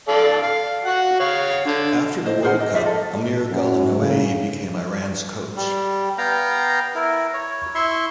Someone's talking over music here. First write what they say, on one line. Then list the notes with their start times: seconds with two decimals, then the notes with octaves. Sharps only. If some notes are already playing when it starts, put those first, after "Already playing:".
After the World Cup, Amir Ghalenoei became Iran's coach.
0.08 A4 D5 F5
0.42 F5
0.85 F#4 F#5
1.20 C#5 F5
1.66 D3
2.26 C5 D#5
2.43 G#4 A#4 C5 F#5
2.60 D#5
2.74 D#4 F4 D#5 E5
2.86 A4
3.51 F#2
3.97 C#3
5.56 G3
6.18 B3 F5 G5 A#5
6.95 E4 A#4
7.34 C#5
7.75 E4 E5 C6 C#6